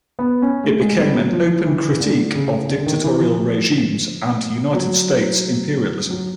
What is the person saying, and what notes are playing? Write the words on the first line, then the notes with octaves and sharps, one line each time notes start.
It became an open critique of dictatorial regimes and United States' imperialism.
B3
C#4
A3
G#3
G3
F#3
F3
E3
D3
C#3
D3
D#3
E3
F3
F#3
F#3